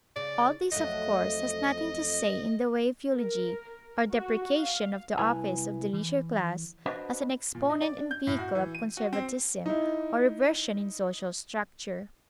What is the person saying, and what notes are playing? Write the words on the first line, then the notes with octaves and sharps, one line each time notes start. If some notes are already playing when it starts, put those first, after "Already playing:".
All this, of course, has nothing to say in the way of eulogy or deprecation of the office of the leisure class as an exponent and vehicle of conservatism or reversion in social structure.
C#3 D5
F2 F#3 A3 D#5
A#4
F#4
F5
C2 E4 B4 G#5
E3
D4 F#4 B4 C5 D#5
A#2
D#4
D5
D4
G6
A2
F#4
E3
D#7
F#4
C4
D#4 E4